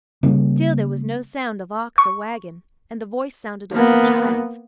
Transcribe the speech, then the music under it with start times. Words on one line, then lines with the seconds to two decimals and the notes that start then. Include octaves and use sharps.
Still there was no sound of ox or wagon and the voice sounded like a child's.
0.23 C#3 G3 A#3 C#4
1.98 C#6
3.73 A#3 B3